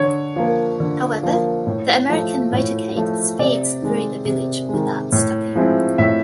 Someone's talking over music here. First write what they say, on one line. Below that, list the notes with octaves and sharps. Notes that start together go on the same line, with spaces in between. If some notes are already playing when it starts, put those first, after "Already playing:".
However, the American motorcade speeds through the village without stopping.
Already playing: D3 C#5
F3 A#3
D3
F3 A#3
A2
F3 A3
A2
F3 A3
C3 D5
D#3 G#3
C3
D#3 G#3
A2
F3 G#3 C4 E4
A2 E5